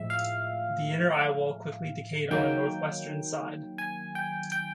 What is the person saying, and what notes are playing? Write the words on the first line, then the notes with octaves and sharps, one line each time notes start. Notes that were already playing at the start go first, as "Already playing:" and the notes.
The inner eyewall quickly decayed on the northwestern side.
Already playing: A2 F3 G#3 E5
F5
D#3 F#3 A#3 G5
G#5
G5
G5